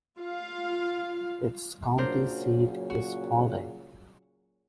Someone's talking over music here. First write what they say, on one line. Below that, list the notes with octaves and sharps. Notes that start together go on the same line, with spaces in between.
Its county seat is Paulding.
F4 F5
A#2 C#3 F#3 D4 A#4 C5
F#4